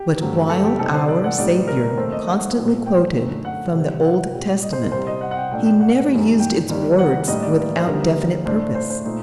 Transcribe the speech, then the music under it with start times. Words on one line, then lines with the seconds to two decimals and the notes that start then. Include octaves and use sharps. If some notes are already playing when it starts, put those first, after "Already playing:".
But while our Saviour constantly quoted from the Old Testament, He never used its words without definite purpose.
Already playing: G4
0.20 G2 D3 F#3 A3 C4
0.50 A4
0.65 G4
0.79 C3 D#3 G3 C4 D#4 A4
0.94 C5
1.09 D5
1.24 F#5
1.38 A2 G3 C4 D#4 D5
1.68 A#4
1.83 A#4
1.97 D#2 D#3 A3 C4 C5
2.12 D#5
2.27 F#5
2.56 A#2 A3 C4
2.86 G5
3.16 F#2 D3 A3 D#4
3.45 F#5
3.74 C3 G3 C4
4.04 F#5
4.33 A#2 G3 C4
4.63 D#5
4.73 C5
4.83 A#4
4.92 C2 C3 G3 C5
5.07 D#5
5.21 F#5
5.31 F#5
5.37 G5
5.51 A#2 A3 D4 G5
5.65 G5
5.80 F#5
6.10 F#2 D#3 G3
6.39 G5
6.69 D#2 D#3 G3 D4
6.99 F#5
7.28 A2 G3 A#3 D4 D#5
7.43 D5
7.77 C5
7.86 D2 D3 G3 A#3 D#4 A#4
8.46 A2 A3 D4 C5
8.75 C5
8.90 C5
9.05 A#2 A3 D#4